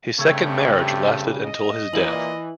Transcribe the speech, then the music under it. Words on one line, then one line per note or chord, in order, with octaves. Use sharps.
His second marriage lasted until his death.
G2 C#3 A3 C4 G4 C#6 E6 G#6
D#5
A#2 E3 E4 E5 F#7